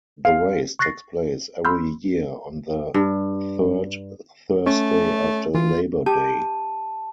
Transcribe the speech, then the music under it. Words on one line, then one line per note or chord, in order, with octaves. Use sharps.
The race takes place every year on the third Thursday after Labor Day.
F5
C#6 F#6 A6 A#6 C7
B5 C6 E6 F6 G6
G2
A3 C#4
E3 F4
G4 A5